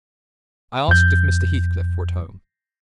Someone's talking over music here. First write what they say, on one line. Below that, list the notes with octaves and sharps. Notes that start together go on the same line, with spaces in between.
I asked if Mr. Heathcliff were at home?
F2 G6